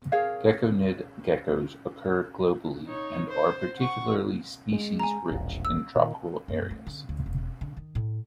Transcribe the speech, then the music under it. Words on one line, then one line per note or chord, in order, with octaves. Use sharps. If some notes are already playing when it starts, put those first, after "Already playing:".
Gekkonid geckos occur globally and are particularly species-rich in tropical areas.
G#4 A#4 C#5 F5
D#4 C#5
C5
F#5 C#6
G#3
G#5 A#5
E1 A#1
E6
A#2 D#3
F#2
A3
D3
D2
E1
D3
D#3
A2